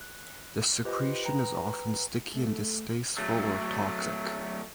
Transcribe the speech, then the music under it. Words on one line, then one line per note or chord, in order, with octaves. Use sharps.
The secretion is often sticky and distasteful or toxic.
F#6
F4 G4 B4 C5 D#5
B4 G5 A#5
A3
F#3 A3